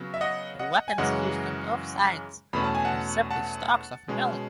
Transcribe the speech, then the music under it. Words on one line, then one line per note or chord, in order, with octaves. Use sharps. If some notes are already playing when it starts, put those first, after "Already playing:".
The weapons used on both sides are simply stalks of millet.
Already playing: C#3 F#3 B3
E5
D#5 F#5
D#5 F#5
G#5
F#2 C#3 E3 G#3 C#4 D#5 F#5
E2 B2 A3 C#4 B5
A5
G#5
F#5 A5
F#5 A5
B2 G#3 C#4